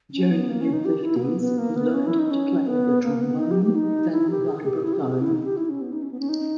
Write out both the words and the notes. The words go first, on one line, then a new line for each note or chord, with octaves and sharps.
During the mid-fifties he learned to play the trombone, then the vibraphone.
C#4
B3
A#3
C#4
D#4
G4
E4
A#3
B3
B3
A#3
B3
C#4
E4
D#4
C#4
B3
A#3
B3
D#4
G4
G4
D#4
E4
G4
G#4
G4
E4
G4
G#4
G4
E4
D#4
G4
E4
C#4
B3
D#4
C#4
B3
C#4
D#4